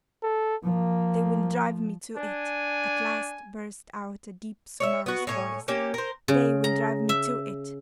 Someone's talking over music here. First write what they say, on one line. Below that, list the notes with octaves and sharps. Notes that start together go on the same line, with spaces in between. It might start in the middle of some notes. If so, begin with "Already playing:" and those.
'They will drive me to it!' at last burst out a deep sonorous voice. 'They will drive me to it....
A4
F3 A#3
D4 G#5
C#5 D5 E5
B3 F#4
A2 C#5 G#5
A#3 C#4 G4
A#4 C5
C#3
A#5
E5